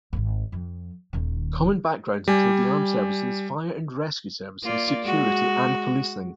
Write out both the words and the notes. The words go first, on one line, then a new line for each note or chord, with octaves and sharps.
Common backgrounds include the armed services, fire and rescue services, security and policing.
D#1 G#1
F2 F3
D#1 D#3
G3 G#5
A#3 F4 D5
G#3 F#4